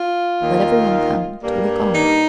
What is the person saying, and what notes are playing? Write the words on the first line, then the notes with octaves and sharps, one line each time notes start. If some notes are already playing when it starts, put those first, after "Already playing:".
Let every one come ... to look on.
Already playing: F4
D#2 D#3 A#3
G2 G3 A#3
D#4